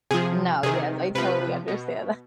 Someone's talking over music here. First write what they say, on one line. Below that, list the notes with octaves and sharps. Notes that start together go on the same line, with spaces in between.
No, yes, I totally understand that.
C3 F3 G#4
C3 D#3 G#4
C3 F3 B4
B2